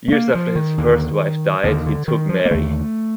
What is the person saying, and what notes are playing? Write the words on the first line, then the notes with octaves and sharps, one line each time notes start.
Years after his first wife died he took Mary.
A3
A#3
F3
D#3
D#2 D3
D#2 D3 D#3
D3
D#3
F3
A#3
D#2 D3 A3